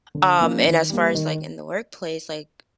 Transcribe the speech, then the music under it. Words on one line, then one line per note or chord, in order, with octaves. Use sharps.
um, and as far as, like, in the workplace, like,
D3
F3 A#3 C#4
D#3
G3 A#3
D#3